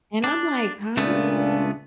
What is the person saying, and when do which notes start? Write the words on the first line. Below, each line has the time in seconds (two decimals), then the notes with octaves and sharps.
And I'm like, "Huh?"
0.24 D4
0.97 C#2 A#2 A3 B3 D4